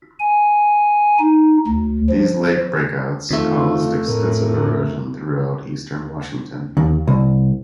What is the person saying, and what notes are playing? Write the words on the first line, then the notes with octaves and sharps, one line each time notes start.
These lake breakouts caused extensive erosion throughout eastern Washington.
G#5
D#4
D2
F3
F2 D#3 A3 F4
A2 A#4
D#2
C2